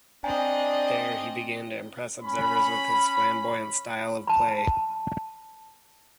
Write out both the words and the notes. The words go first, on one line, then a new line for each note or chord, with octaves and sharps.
There, he began to impress observers with his flamboyant style of play.
C4 D4 D#5 G5 G#5 A#5
C#4 B5
A5 B5